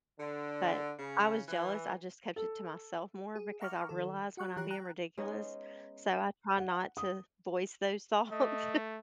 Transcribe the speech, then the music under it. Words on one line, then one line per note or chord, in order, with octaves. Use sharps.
but I was jealous, I just kept it to myself more because I realize when I'm being ridiculous, so, I try not to voice those thoughts.
D3
C#3
E3
A4
G#4
E5 F#5 A#5 C#6 D6 F6
D#3 A4
F#4 F#5 C#6 F#6
E3 F4 G4 C#5 A#5 F#6
G5 A#5 F#6
G#3 B3 C#4 D#4
F#5
D#6
A3 D#5